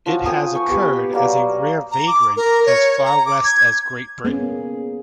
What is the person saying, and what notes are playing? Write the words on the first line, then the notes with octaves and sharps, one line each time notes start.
It has occurred as a rare vagrant as far west as Great Britain.
F3 C#4 F#4
G5 G#5 C6 D#6
C#6
B3 G4 B4
F#3 G3 A#3 G#4
A#5
D6
A#4
C#5
A#5
D6
G#6
A#3 B3 C#4 G#4